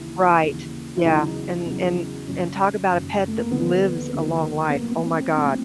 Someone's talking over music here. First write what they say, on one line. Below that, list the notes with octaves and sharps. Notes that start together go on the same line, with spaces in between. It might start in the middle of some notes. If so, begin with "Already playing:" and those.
Right, yeah, and and and talk about a pet that lives a long life, oh my god,
Already playing: D#2 C#3 E3 E4
D#2 C#3 E3
E4
E2 C#3 F#3 D#4
E2 C#3 F#3
F#1 F#2 D#3 F#3 C#4
F#1 F#2 D#3 F#3
A3
A#3
D#2 D3 F3 B3
D#2 D3 F3
B3
A#1 A2 F#3 A#3
B3
C4
C4
A#1 A2 F#3 C4